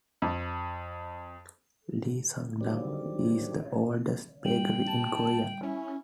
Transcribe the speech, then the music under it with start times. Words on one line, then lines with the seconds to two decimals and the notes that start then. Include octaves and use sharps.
Lee Sung Dang is the oldest bakery in Korea.
0.22 F2
2.61 D3 D#3 F#3 G3 C4 D5
4.45 G3 G5 F#7
4.87 A5
5.63 C#4 E4